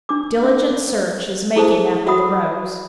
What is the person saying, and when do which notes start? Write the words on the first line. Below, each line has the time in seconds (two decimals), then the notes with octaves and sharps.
Diligent search is making after the rogues.
0.09 D4 D6
0.43 C#4 E5
1.56 E4 G#4 A4 C5 A5
2.06 F#4 E5 F#5 B5 D#6